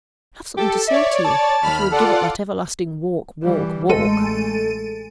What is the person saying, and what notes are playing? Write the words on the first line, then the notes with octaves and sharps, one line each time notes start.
I have something to say to you, if you would give up that everlasting walk, walk, walk.'
G4 A4
C#5 D5 E5
A5
D#2 B5 F6
F4 A4 D5 F#5
E3 G3
A1 G#3 A3 A4 D#7